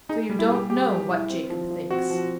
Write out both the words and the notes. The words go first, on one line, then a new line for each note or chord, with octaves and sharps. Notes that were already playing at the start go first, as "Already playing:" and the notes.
"So you don't know what Jacob thinks?"
D#4 G#4
G3
E4
G#4
G4
G4 G#4
G#4
E4
C4
F3
F3
C4 F#4
F3